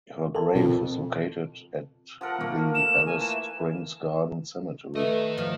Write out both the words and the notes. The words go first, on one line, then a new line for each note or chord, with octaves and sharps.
Her grave is located at the Alice Springs Garden Cemetery.
A4 A#4 A5
F2 B2
F3 A4 A#4 F#5
A3 A#3 A#4
E7
G#5
E3 E7
D#3 A3 B4 D#5
F3 A3